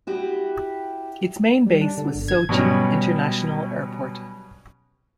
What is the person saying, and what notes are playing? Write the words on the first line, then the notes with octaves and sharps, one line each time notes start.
Its main base was Sochi International Airport.
E4 F#4 G4
G3
D4
D3
G1
G#6
B2 F#3 G3 C#4